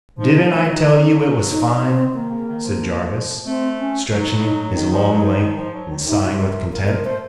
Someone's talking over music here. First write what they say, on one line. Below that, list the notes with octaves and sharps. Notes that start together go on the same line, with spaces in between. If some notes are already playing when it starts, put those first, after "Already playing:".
"Didn't I tell you it was fine?" said Jarvis, stretching his long length and sighing with content.
F3 D#4
A3
F#3
D#4
C4
D#3 A#3
C#3
D#3
F3
A3 C4
C#4
F#3 D#4
D#4
D#3 D#4
F3
F#3
F3
D#3
F3
F#3
D#3
C3 D#4
F#4
A#4
C#3 A#4
F3 A#4
A3 C5